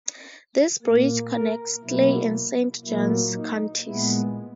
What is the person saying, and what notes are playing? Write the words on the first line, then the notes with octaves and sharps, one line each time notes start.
This bridge connects Clay and Saint Johns Counties.
A#2 A#3
A#4
B2 F#3 A#3 E4
A#2 F#3 A#3 E4
D#4
A#2 G#3 B3 E4